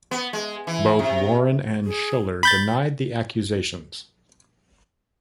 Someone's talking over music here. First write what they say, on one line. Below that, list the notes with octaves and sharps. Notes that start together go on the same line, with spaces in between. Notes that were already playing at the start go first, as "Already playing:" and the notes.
Both Warren and Schuller denied the accusations.
B3
G#3
E3
C3
G#4
B5 G6 A6